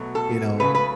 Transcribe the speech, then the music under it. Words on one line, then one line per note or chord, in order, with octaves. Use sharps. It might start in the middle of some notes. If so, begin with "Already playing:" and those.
you know
Already playing: B2 F#3 A3
A4
C#3 F#3 A3 B4
B4